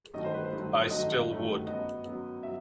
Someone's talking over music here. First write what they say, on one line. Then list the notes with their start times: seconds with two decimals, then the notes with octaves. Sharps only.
I still would.
0.13 A1 G2 D#3 F#3 A3 D#5
0.25 C5
0.34 B4
0.44 C5
0.52 A1 G2 D#3 F#3 A3
0.90 A1 G2 D#3 F#3 A3 D#5
1.29 A1 G2 D#3 F#3 A3
1.67 F#2 F#3 B3 D#5
2.05 F#2 F#3 B3
2.43 F#3 E5